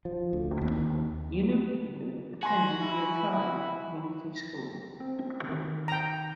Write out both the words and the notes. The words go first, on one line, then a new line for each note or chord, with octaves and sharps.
Yunupingu attended Yirrkala Community School.
F3
D2
D#2
F#4 G#5 C6 A#6
E4
C4
D#3
G5 A#5